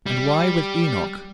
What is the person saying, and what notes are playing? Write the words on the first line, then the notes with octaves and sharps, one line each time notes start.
"And why with Enoch?"
G3